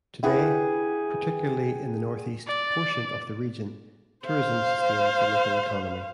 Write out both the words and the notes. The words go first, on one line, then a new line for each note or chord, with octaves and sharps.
Today, particularly in the northeast portion of the region, tourism sustains the local economy.
E4 G4 G#4 B4 F#5
D5
C5 F5